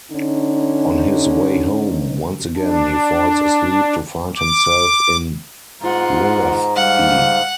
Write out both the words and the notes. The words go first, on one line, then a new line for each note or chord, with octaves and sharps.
On his way home, once again he falls asleep to find himself in Willoughby.
D3 C#4 D#4
D4
D6
G#2 F4 F#5 A#5
G3 F5 F#5